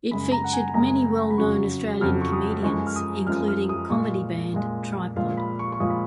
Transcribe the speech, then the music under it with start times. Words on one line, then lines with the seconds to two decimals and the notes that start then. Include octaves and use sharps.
It featured many well-known Australian comedians, including comedy-band Tripod.
0.11 F#2 C#3 G#3 B5
0.32 A#5
0.44 F#5
0.53 G#5
0.74 F#2 C#3 G#3 A#5
1.30 B5
1.37 F2 C#3 F#3 C#6
2.00 F2 C#3 F#3 F6
2.21 C#6
2.33 D#6
2.63 F#2 F3 G#3 C#6
2.87 F6
2.96 D#6
3.27 F#2 F3 G#3 F6
3.48 F6
3.69 D#6
3.90 A#2 G#3 C#6
4.54 A#2 G#3
5.16 A#2 F3 G#3 F5
5.37 B5
5.59 C#6
5.72 C#6
5.80 A#2 F3 G#3 D#6
5.90 B5